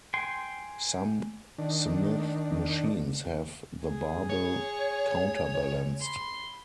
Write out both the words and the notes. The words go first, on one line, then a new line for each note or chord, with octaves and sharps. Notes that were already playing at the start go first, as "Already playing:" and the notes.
Some Smith machines have the barbell counterbalanced.
G5 G#5 C6
D#3 D4
G#4
C#5
B5 C6